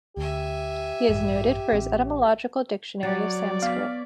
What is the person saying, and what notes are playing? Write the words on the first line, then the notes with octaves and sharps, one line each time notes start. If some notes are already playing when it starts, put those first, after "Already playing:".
He is noted for his etymological dictionary of Sanskrit.
D2 G4 E5 G#5
A1 G2
A1 C4
F#3 C#5 D5 A6
B3 F5 B6